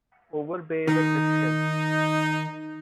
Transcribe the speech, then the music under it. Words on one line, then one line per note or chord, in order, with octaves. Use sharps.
Overbay is a Christian.
D#3 D#4